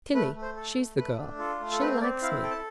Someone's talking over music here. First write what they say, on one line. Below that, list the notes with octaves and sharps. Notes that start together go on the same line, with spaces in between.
Tillie--she's the girl--she likes me.
A3 B4
A3
C5
A4
A4
A3
A3 B4
D4
F4 A4
A3
A4
C4 B4
C4 D5
E4 F5
A4 G5
A5